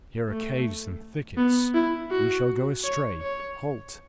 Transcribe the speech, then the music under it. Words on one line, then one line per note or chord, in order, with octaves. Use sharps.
Here are caves and thickets: we shall go astray!--Halt!
A3
B3
E4
F#4
C#5
C#5